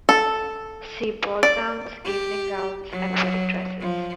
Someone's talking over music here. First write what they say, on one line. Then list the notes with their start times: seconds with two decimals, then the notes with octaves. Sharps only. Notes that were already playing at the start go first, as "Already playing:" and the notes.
See ball gowns, evening gowns, and wedding dresses.
0.09 A4
1.43 D5
2.05 G4
2.91 F#3
3.80 F3